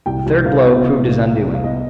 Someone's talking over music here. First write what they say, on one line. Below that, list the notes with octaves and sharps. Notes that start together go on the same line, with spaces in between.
The third blow proved his undoing.
C2 G5
C2
C2 F5
B3
C3
C2
C3
C2
F5
B3 D#5